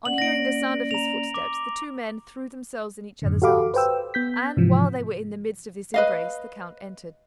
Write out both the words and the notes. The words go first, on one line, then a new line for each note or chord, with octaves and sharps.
On hearing the sound of his footsteps, the two men threw themselves in each other's arms, and while they were in the midst of this embrace, the count entered.
C#4 D5 F#5 F#7
A#3 C#4 D5 A#6 D7
A#5 F7
D6
F#2 A2 D3
F#4 G4 A4 F5 B5 D6
B4 C5 G5 E6
B3 G6 B6
G#2 C3 E3 F3
B4 D#5 F5